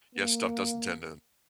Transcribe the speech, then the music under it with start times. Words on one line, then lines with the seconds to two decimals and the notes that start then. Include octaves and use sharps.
yeah, stuff doesn't tend to
0.15 A#3